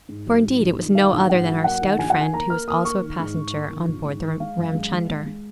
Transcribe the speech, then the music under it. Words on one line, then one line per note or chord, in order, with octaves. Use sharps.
For indeed it was no other than our stout friend who was also a passenger on board the Ramchunder.
G#2
F#3
G#2
A#1
D#3
D#3 F5
A#1
G#2 F#5
F#3
A#3 F#5
D#3
A#1 G#5
F#5
D#3 G#5
A#3 A#5
A#3 F6
A#3 D#6
A#3 C#6
D#3
G#2
G#2
A#3
D#3
A#1
G#2
D#3
G#3 F5
F#2
G#3
G#3
G#3
G#3